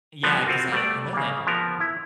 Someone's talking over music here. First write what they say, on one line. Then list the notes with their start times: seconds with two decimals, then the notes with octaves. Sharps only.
Yeah, 'cause I I know that they
0.23 F3 G3 B3 D4
0.46 C4 F4 F#4 A#4
0.72 G3 A3 D5
1.13 C#3 A#3
1.47 F3 B3 A#4
1.80 E4